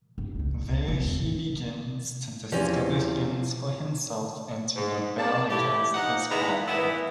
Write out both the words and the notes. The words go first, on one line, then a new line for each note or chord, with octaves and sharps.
There he begins to discover things for himself and to rebel against his father.
G2
C#2 D#4
C#2
A#1 C3
G#1 E2
A2
E2 C3 F3 C#4
G#2
C4 C#4 G#4 D5 A5
G2 E3 A3 E4 G4
F3 D#4 F#5
A#2 D#3 G#3 B3 E4 A#5
E3 B3 E4